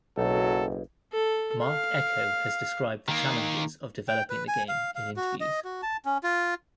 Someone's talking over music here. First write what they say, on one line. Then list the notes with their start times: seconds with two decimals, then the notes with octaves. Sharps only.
Marc Ecko has described the challenges of developing the game in interviews.
0.18 F#1 B1 F#3 A4
1.13 A4
1.65 F5
3.09 D#3 A#3
4.08 G5
4.30 B4
4.48 G#5
4.69 F5
4.96 F5
5.16 F#4
5.41 D#5
5.65 F#4
5.83 A5
6.05 C#4
6.23 F4